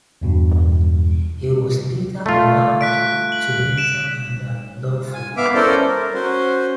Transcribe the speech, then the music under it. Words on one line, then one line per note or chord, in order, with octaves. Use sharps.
He was later allowed to enter Canada lawfully.
E2 G2 B2
A3 F4
F#6 B6 D7
F#7
D7 E7
G#5
B3 E5 F5 D6
C#4 E4 A4 A#4 C5 D5
A#4
C#4 F#4 C5